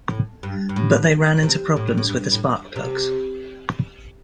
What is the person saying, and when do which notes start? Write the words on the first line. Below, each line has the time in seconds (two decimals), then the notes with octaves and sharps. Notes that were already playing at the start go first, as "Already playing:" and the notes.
But they ran into problems with the spark plugs.
0.10 A2
0.43 G2
0.69 G2
0.76 A2
1.43 C3
1.76 A2
1.87 G2
1.97 A2
2.09 G2
2.32 A2
2.76 C3